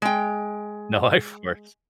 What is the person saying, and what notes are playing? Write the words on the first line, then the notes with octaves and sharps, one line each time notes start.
No, I of course.
G#3 G5